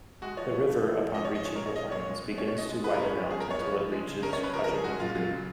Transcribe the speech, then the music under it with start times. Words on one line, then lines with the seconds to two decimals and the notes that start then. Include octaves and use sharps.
The river upon reaching the plains begins to widen out until it reaches Rajamundry.
0.22 G#3 F#4
0.37 F3 C#5
0.53 B3
0.68 F3
0.83 A#3
0.99 F3
1.14 C#4 D#5
1.25 C#5
1.30 F3
1.35 D#5
1.45 G#3 C#5
1.56 A#4
1.60 A#2
1.66 C#5
1.76 C#4 D#5
1.91 A#2 C#5
2.07 G#3
2.23 B2
2.38 C#4 C#5
2.48 C#5
2.53 B2 D#5
2.69 G#3
2.84 F3 B4
2.94 A#4
3.00 C#4 B4
3.15 F3
3.30 B3 G#4
3.40 A#4
3.46 B3 C#5
3.61 F3
3.76 F3
3.92 G#3
4.07 C#3
4.23 C#4 A#4
4.33 C#5
4.38 C#3
4.43 B4
4.53 F3 A#4
4.64 A#4
4.69 C#4
4.74 G#4
4.84 G#3 F#4
4.99 A#2 F4
5.15 F#3 F4
5.30 C#3